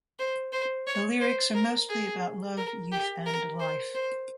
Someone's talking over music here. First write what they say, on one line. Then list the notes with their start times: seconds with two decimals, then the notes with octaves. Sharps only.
The lyrics are mostly about love, youth and life.
0.19 C5
0.53 C5
0.87 C#5
1.21 C5
1.55 A#4
1.89 G#4
2.58 A#4
2.92 G4
3.26 A#4
3.60 C5
3.94 C5